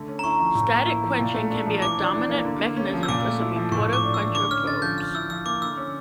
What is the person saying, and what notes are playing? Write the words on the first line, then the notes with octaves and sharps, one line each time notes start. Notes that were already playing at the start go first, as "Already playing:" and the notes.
Static quenching can be a dominant mechanism for some reporter-quencher probes.
Already playing: D3 A3
C#4
A#5
E4 C#6
F3
A2
A#3
E4
F3
A#2
A3
D4
F3
E3 D6
D4
E3
A#3
D3
A#3
C#4
F3
E6
A#2 D6
A3
E4
F3
A2 C#6
A3 D6
D4
E6
E3
D3 D6
C#4 F6
D3 A6
F3 G6
F3 F6
E4 E6
F3 E6
A#3 D6
D3 E6
C#4